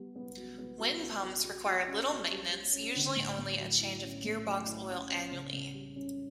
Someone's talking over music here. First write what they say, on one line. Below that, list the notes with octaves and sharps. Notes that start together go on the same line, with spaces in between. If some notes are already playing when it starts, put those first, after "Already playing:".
Wind pumps require little maintenance-usually only a change of gear box oil annually.
Already playing: G3 B3
B3
F#4
B3
F#4
B3
F#4
F#4
F#4
C#4
F#4
G3
G3
C#4
D3
A2
A2
F#3
E4
C#4
A2
F#3
E4
C#4
C#4
C#3
C#3
G3
C#4